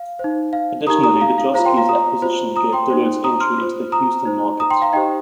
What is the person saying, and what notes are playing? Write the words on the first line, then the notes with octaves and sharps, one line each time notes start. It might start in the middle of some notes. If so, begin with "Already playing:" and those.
Additionally the Joske's acquisition gave Dillard's entry into the Houston market.
Already playing: F5
D#4 C5
F5
D#4 G4 A#4 A#5 D#6
A#5 D#6
F5 A#5
F5
F4 C5 F5 A#5
G5 C6
F5 A#5
A#5 D#6
F4 C5
A#5 D#6
G5 C6
D#4 C5
A#5 D#6
C6 F6
F4 C5
A#5 D#6
D#4 C5
A#5 D#6
G5 C6
F5 A#5
D#4 G4 C5 D#5 G5